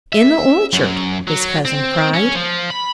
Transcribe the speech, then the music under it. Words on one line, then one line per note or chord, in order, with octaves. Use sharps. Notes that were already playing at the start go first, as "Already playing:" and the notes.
"In the orchard!" his cousin cried.
E5
F#2
F#3
C4
C#4
F3
B5